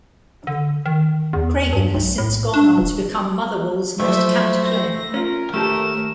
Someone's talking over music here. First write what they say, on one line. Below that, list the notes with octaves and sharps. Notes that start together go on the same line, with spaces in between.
Craigan has since gone on to become Motherwell's most capped player.
D3
D#3
E2
G2
B1
A2
D4
D#1
A#2 F3 F#3 A3 C5 E5
C5 A#6
C#4 F4 A#4
D#2 A3 G4 A5 E7